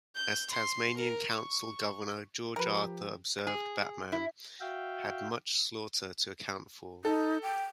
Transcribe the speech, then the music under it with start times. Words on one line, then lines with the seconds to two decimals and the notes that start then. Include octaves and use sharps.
As Tasmanian Colonial Governor, George Arthur, observed, Batman "...had much slaughter to account for".
0.15 G6
0.50 C6
0.96 A#4
1.30 C#6
2.56 F3 G4 A#4 B4
3.47 G#4
4.12 E4
4.60 F#4 E5 F5 G5
7.05 D#4 A4
7.43 G5